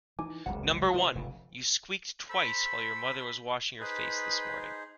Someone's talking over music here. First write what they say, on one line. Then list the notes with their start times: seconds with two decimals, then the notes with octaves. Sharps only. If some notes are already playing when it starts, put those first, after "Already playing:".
Number one: you squeaked twice while your mother was washing your face this morning.
0.19 E3 D#4 G#5 D6
0.46 F#1 C#2 C3 F#5
0.94 C3 F4 C5 E5
1.15 F1 C#3
2.30 A4 C5 B5 E6
3.80 D#4 G#4 B4 C5